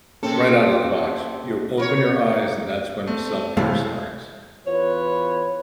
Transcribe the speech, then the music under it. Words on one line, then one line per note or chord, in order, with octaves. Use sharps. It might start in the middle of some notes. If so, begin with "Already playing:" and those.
Right out of the box, you open your eyes, and that's when self-care starts.
C3 A#3 C4 C#4 G#4 A4
A#4 B4 C#5
A3 C4
C2 A2 C3 E3 G3 A3 F5
E2 F4 B4 C#5